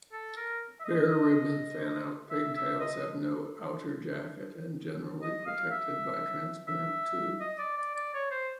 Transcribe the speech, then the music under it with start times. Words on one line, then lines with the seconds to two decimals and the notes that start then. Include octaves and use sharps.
Bare ribbon fanout pigtails have no outer jacket and generally protected by transparent tube.
0.12 A4
0.37 A#4
0.80 E5
0.85 D#5
2.31 E5
2.55 E5
2.80 D#5
5.23 D#5
5.47 F5
5.71 E5
6.68 E5
7.41 D#5
7.58 D5
7.77 D5
7.95 D5
8.14 C#5
8.31 C5